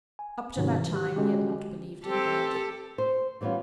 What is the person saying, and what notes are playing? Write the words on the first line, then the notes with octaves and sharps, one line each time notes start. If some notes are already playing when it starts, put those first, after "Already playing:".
Up to that time, he had not believed in God.
G#5
G#2 C3 D#3 F#3 C4 C#4
E3
D#3 G4 F#6
D3 G#3 C#4 F#4 G4
C4 G4 A4
C5
E3 G3 B3 C#4 F4